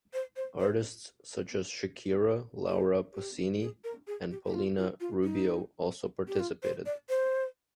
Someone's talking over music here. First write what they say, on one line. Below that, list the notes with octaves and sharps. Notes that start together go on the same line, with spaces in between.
Artists such as Shakira, Laura Pausini and Paulina Rubio also participated.
C5
C5
C5
G4
G4
G#4
A#4
G#4
G4
G4
F4
F4
F4
D#4
G4
F4
C5
D5
C5